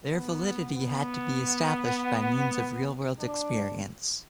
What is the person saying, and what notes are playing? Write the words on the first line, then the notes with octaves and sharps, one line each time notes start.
Their validity had to be established by means of real-world experience.
B3
B3
D4